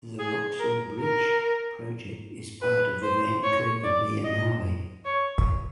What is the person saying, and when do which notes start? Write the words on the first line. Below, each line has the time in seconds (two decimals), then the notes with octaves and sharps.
The "Voxel Bridge" project is part of the Vancouver Biennale.
0.19 G#4
0.60 A#4
1.00 A#4
2.62 B4
3.02 C5
3.43 C#5
3.84 D5
4.24 D#5
5.05 C#5